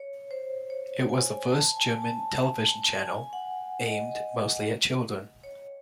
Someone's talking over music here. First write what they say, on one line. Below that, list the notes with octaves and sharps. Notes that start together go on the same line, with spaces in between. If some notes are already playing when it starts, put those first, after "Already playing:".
It was the first German television channel aimed mostly at children.
Already playing: C#5
C5
C#5
G#5
A5
G#5
A5
G#5
F#5
D#5
C#5